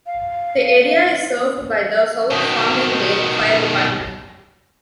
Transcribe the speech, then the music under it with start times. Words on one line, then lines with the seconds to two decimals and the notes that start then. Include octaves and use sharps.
The area is served by the South Farmingdale Fire Department.
0.07 F5
2.31 B2 D#3